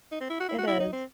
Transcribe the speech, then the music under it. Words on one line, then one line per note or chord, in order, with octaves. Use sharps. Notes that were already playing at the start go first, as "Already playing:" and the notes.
It is.
D#4
C4
E4
F#4
E4
F#4
E4
D#4
C4